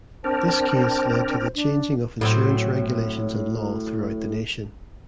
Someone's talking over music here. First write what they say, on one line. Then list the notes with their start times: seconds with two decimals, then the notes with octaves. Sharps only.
This case led to the changing of insurance regulations and law throughout the nation.
0.24 C4 D4 A#4 C5 A5
1.55 D4
2.21 A2 F#3 C4